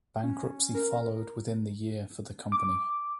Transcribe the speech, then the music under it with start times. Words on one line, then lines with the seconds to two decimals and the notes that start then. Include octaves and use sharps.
Bankruptcy followed within the year for the company.
0.23 C#4
0.75 A#4
2.52 D6